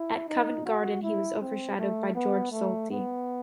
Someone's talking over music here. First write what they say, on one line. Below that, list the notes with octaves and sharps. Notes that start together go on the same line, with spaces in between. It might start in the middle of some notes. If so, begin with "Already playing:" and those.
At Covent Garden, he was overshadowed by Georg Solti.
Already playing: E4
D#4
F#4
E4
C4
A3
B3
A3
B3